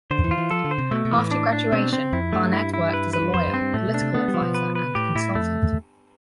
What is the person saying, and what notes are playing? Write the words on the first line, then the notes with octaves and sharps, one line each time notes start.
After graduation, Barnett worked as a lawyer, political advisor and consultant.
D3 C5
E3
F4
E3
F3 A4
D3
C5
C3
B2 A3
B2
E3
A2
D4
D4
B2 C4
C4
F2 E4
G2 A3
E4
E4
B4
B4
G2
F2 C5
G2
C4
G2
A2 A3
B2
D4
C3
A3 B3
G3
F3
B2
B4
B4
A2 G4
A2 E4
F2 A3